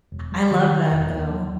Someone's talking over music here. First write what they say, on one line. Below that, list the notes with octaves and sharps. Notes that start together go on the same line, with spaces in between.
I love that though,
E1
G3
D#3
D#3
E1
D#2
F#3